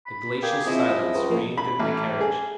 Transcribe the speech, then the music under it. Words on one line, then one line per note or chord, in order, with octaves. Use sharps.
A glacial silence reigned in the carriage.
B5
A#3 G4 G#4
F3 C4 E4 G#4 D#5 E5
C#2
F3 A#3
B5
A1
G#4